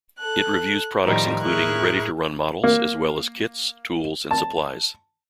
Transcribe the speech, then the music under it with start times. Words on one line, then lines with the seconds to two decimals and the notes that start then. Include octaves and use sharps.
It reviews products including ready-to-run models as well as kits, tools and supplies.
0.19 A4 F#6
1.05 A2 D#3 F3 G3 D#4
1.41 A2 E4 G#4 A#4 C#6 F#6
2.64 A#3
4.31 A5